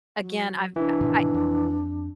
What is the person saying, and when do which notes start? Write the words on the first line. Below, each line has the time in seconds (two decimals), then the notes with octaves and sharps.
again I've I I
0.19 F#3
0.76 E3 D4
1.01 G#2 B2 D#3
1.34 F2